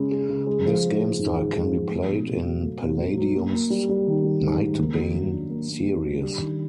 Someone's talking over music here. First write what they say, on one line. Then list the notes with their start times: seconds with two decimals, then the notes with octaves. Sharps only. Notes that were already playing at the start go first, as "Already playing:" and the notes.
This game style can be played in Palladium's "Nightbane" series.
Already playing: C#3 G#3 C#4
0.11 G#3
0.29 C#3
0.47 G#3
0.65 F3
0.83 G#3
1.01 G#3
1.19 G#2
1.37 G#3
1.55 G#3
1.73 F3
1.91 A3
2.09 B2
2.27 B2
2.45 F#3
2.63 A3
2.81 B2
2.99 F#3
3.17 F#3
3.35 A#3
3.52 A#3
3.70 G3
3.89 G3
4.07 D#3
4.24 G3
4.43 G#2
4.61 D#3
4.79 A#3
4.96 F#3
5.14 F#3
5.33 D4
5.50 A#3
5.69 A#3
5.86 G4
6.04 D4
6.22 G3
6.40 D#3